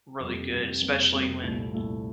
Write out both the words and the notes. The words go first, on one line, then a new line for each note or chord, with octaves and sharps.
really good, especially when,
F2 C3 G3 A#3
F2 C3 G3 A#3
F2 C3 G3 A#3
F2 C3 G3 A#3
C2 A#2 A3 E4
C2 A#2 A3 E4